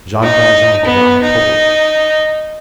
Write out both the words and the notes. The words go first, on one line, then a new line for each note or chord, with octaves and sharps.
Jean Valjean could not have told.
D#4
B3
D#4